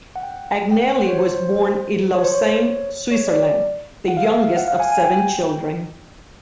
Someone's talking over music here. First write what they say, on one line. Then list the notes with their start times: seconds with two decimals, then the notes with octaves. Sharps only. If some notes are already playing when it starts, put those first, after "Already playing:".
Agnelli was born in Lausanne, Switzerland, the youngest of seven children.
0.16 F#5
0.23 G5
0.71 G5
0.83 F#5
0.95 C5
1.07 C#5
1.18 C5
2.15 C#5
2.24 C5
2.34 C#5
3.11 C#5
3.28 D5
4.08 F#5
4.17 F5
4.25 E5
4.33 F5
4.57 F#5
4.68 F5
4.80 G#5
4.92 G#5
5.04 G5